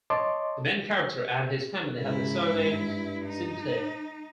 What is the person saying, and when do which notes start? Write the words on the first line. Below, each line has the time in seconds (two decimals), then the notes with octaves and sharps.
The main character and his family had the surname Sinclair.
0.10 C#5 D#5 A5 C6 D6
1.99 G#2 C#3 E4
2.49 G2
3.24 D#4